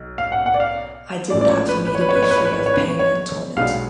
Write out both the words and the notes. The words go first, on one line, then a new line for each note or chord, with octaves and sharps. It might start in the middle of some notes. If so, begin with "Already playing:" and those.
I did that for me to be free of pain and torment.
Already playing: B1
F5
F#5
F#5
D5
F5
A1 A2 F3 G#3 D4 D5
D5
C#5
B4
B4
C#5
B4
C#5
B4
C#5
B4
C#5
B4
C#5
B4
C#5
B4
C#5
B1 B2 G#3 B3 D4 F5